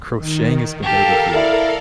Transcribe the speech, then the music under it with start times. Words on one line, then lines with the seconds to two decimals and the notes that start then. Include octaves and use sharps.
Crocheting is competitive field.
0.18 D#3
0.83 G4 A4 A#4 F5 A5
1.36 E4 D5